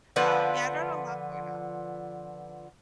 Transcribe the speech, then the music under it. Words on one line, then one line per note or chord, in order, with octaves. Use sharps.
um, yeah, I've got a lot going on.
D3 F3 B3 B4